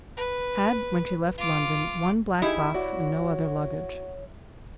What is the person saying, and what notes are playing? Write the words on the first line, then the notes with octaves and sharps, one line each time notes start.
Had, when she left London, one black box, and no other luggage.
B4
F4 D6
D#4 E4 G4 G#4
F#4 C#5 D5